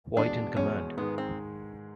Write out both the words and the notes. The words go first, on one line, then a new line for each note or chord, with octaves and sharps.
White in command.
E2 B2 G#3 D4
E2 B2 G#3 C#4
G#2 D#3 G#3 B3
C4